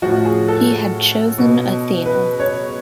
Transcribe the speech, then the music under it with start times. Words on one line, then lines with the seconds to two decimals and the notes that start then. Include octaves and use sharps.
He had chosen Athena.
0.02 A2 F3 F#4
0.25 G#4
0.48 A4
1.38 B2
2.06 B4
2.40 C#5